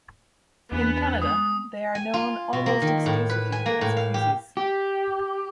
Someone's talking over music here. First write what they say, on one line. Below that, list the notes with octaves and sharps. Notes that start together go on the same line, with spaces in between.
In Canada they are known almost exclusively as 'freezies'.
E2 B3 D4 B4 G#5
G#3 D#6
G#5
F4
B2
A#3
D#3
A2
B4
G#5
A#3
A2
F5
G4
G4